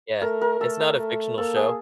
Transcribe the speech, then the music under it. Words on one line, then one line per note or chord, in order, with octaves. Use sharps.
Yeah, it's not a fictional show.
A3 A#4
A#4
A3 A4
A#4
A3
A#3 A4
G#4